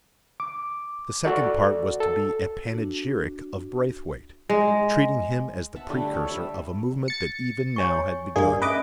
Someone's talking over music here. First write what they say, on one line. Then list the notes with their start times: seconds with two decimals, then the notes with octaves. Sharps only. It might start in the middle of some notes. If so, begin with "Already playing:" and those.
The second part was to be a panegyric of Braithwaite, treating him as the Precursor of a movement that even now had begun.
0.40 D6
1.25 F#4 A4 D5
2.00 A4
2.71 D4 F#4
4.49 G#3
5.75 E5 F#5 A5
5.89 D3 G3 A3 D4
6.08 A4 C#5
6.29 G3 E5
7.08 A6 C#7
7.76 C#5 G#5 C#6
8.36 G2 A#3 G#4 D5 G#5
8.62 C#4 B4 D#5 E5 D6